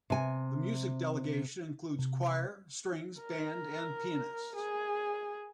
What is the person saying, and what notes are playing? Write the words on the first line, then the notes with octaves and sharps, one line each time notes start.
The music delegation includes choir, strings, band and pianists.
C3 G#5
C3
A#4
G#4